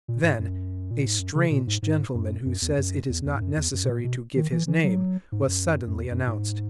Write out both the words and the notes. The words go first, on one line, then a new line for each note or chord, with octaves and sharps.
Then "a strange gentleman who says it is not necessary to give his name," was suddenly announced.
A#2
G#2
F#2
A#2
G#2
F#2
C#3
A#2
G#2
G#2
F#2
F#2
E2
F#2
E2
E2
G#2
F#2
E2
F#2
B2
A#2
B2
D#3
E3
E3
F#3
G#2
F#2
F#2
E2
F#2
G#2